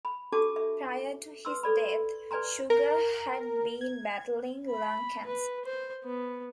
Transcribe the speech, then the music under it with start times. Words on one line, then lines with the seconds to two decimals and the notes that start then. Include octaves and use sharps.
Prior to his death, Sugar had been battling lung cancer.
0.05 B5
0.32 D4 F#4 G4 A4 A5 D6
0.56 E5
1.45 B4 C6 E6
1.63 A4 D5 B5
2.31 B4 D5 G#5 A#5 C6
2.70 A#4
3.81 G#6
4.71 B5
5.27 B4
5.65 C5
6.04 B3